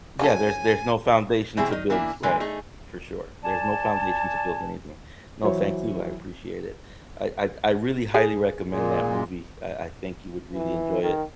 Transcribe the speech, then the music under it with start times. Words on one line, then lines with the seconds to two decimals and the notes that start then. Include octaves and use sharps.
Yeah, there's there's no foundation to build, right. For sure. There's no foundation to build anything. No, thank you, I appreciate it. I I I really highly recommend that movie. I I think you would really enjoy it,
0.19 C#3 F#3 A4 G#5
1.57 B2 E3 G3 C4 E4 G#4
1.70 D#3 D#4
1.90 E3 A#3 D4 E4
2.23 D3 E3 G#3
2.40 A3 D#4 G#4
3.44 D5 G#5 A5
5.44 E3 F#3 C5 C#5
8.14 G#4
8.70 A#2 G#3
10.53 E3
11.02 D#3